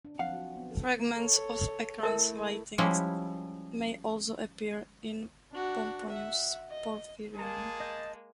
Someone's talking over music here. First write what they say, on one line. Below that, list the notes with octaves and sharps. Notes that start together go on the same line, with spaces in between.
Fragments of Acron's writing may also appear in Pomponius Porphyrion.
D4
F3 F#3 C4 F5 F#5
F#4
B3
A4
A4 C#5
A3 E4 A4 A#4 E5
F3 G3 G#3 C#4 E4
D4 F#4
E5 F#5
D#5
G#3 A#3 G#4 A5
D#5 G6